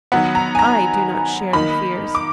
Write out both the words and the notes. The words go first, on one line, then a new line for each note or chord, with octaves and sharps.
I do not share the fears.
D#3 F#3 B3 F#5
A#5
G#5
A#5
D#3 A#3 D#4 B5
D6